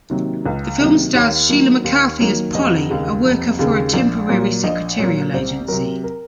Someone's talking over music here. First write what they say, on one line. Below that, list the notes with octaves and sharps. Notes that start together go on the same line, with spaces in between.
The film stars Sheila McCarthy as Polly, a worker for a temporary secretarial agency.
C3 D#3 F#3 A#3
C#2
C3 D#3 F#3 A#3
D#2 C#5
D#3 F#3 A#3
D#2
D#3 F#3 A#3
F1 D#5
D#2 C#3 G#3
F1
D#2 C#3 G#3
A#1
A#2 F#3 A#3
A#1 D#5
A#2 F#3 A#3 C#5
C2 C5
C3 F#3 A#4
A#4